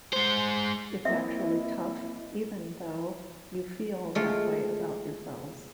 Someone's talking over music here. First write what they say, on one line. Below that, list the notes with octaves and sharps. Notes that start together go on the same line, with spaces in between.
It's actually tough, even though you feel that way about yourselves.
G#3 C5
A#3 C4 E4 D#5 E5
G#3 A3 F4